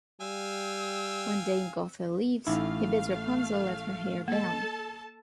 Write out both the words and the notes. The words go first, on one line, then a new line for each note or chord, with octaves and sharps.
When Dame Gothel leaves, he bids Rapunzel let her hair down.
G3 F5 G5 G#5 E6
A1 A3 D#4 E4 F5
A#3 A4 D#5 A5